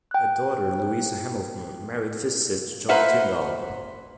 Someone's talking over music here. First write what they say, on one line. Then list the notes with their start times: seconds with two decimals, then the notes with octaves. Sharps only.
A daughter, Louisa Hamilton, married physicist John Tyndall.
0.11 G5 F#6
2.89 A#3 B4 C5 E5 F#5